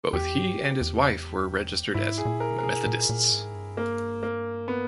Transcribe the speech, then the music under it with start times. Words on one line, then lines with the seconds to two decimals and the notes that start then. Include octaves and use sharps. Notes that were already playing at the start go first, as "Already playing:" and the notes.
Both he and his wife were registered as Methodists.
0.13 E2 G4
0.36 G2
0.81 E2
1.94 G#2 E4
2.18 G#4
2.25 A#2
2.40 A#4
2.55 B2 A#4
2.63 G#4
2.86 A#2
3.09 A#2
3.32 G#2
3.55 G2
3.77 A#3
4.23 A#3
4.68 B3